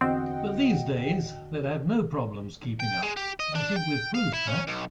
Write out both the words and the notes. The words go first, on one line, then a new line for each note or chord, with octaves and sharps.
But these days they'd have no problems keeping up, I think we've proved that.
E2 D3 C4 F#4 D#5 F#5 G5
G5
G#3
G4
D#5
D4
G5
F5
E4
C#4
B1